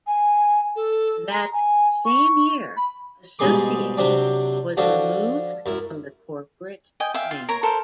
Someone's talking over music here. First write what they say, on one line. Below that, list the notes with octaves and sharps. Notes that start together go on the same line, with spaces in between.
That same year, "Associated" was removed from the corporate name.
G#5
A4
A#5
G#5
C#6
B5
G#2 B2 G3 G#4 C6 D6
C3 F#3 C4 D4
D3 F3 D4 F#4
F#2 E4
D#5 G5 G#5
E5 F5 G5
F4 F5
A#4 C#5 A#5
A4 A#4 C5